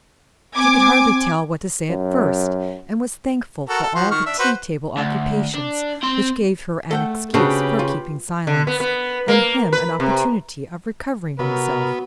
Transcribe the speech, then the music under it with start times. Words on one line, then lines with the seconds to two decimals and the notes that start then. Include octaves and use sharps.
She could hardly tell what to say at first, and was thankful for all the tea-table occupations, which gave her an excuse for keeping silence, and him an opportunity of recovering himself.
0.56 C4 G#5 D6 G#6
1.90 F#2
3.69 F#4 A4 A#4
3.83 A4
3.95 F3 F#4 C6
4.11 D#3 C#6 F6
4.26 D4 E5
4.39 F#4 B4 C5
4.97 D2
5.55 D4
6.03 C4 C6
6.91 A3 A4 F#5 G5
7.34 C#3 C4 D4 F#4 G4 B4
7.79 F4
8.47 D3
8.67 B3
8.80 B3
9.28 A#3
9.73 B4
10.00 C3
11.39 C3 F#3 B3 F#4 A#4 B5